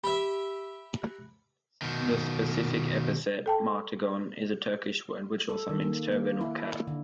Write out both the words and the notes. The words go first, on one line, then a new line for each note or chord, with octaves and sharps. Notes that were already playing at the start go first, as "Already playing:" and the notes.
The specific epithet "martagon" is a Turkish word which also means turban or cap.
G4 E5 B5
B2 D#3
A4 G5 A5
A4
D#3
A#3
A#3
E4
D3